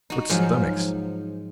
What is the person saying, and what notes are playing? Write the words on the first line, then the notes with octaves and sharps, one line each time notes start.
"What stomachs!"
D#4 F#4
G#2 F3 F#3